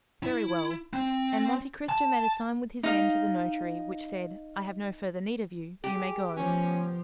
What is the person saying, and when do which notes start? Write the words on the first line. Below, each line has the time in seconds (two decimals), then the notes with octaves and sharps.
"Very well;" and Monte Cristo made a sign with his hand to the notary, which said, "I have no further need of you; you may go."
0.23 E4
0.93 C4
1.89 A5
2.83 D#4 F5
5.84 G4 G#4
6.36 F3 A3 B3 C#4